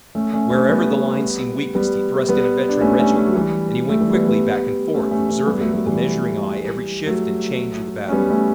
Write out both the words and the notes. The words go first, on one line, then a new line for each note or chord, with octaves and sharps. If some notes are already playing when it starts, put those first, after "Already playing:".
Wherever the line seemed weakest he thrust in a veteran regiment, and he went quickly back and forth, observing with a measuring eye every shift and change of the battle.
A3 C#4
A3 C#4
A3 C#4
G3 B3
G3 B3
G3 B3
D4
A3 C#4
A3 C#4
A3 C#4
F#3
E3 G3
A3
E3 G3
G3 B3
G3 B3
A3 C#4
A3 C#4
A3 C#4
G3 B3
F#3 A3
F#3 A3
E3 G3
F#3 A3
C#4
G3 B3
A3 C#4